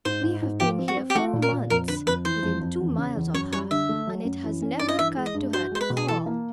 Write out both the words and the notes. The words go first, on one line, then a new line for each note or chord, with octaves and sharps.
We have been here four months, within two miles of her, and it has never occurred to her to call.
G#2 C5
G#2
G#2
F3 G4
C4
F#4
C4
G4
A3 F#4
A#2
A#4
A#2
F2 A#4
D3 B4
F2 B4
E3 C5
F2
F2
E2
C#3
E2
F#2 C#5
G3 C#5
D3 E5
A3
F#3
F#2
E3
C#4
G2 D5
D#5
E3 E5
G#3
D#5
G2
F#4 C5
G#3 C5
B4
B2
G#4
E3 A4
A#3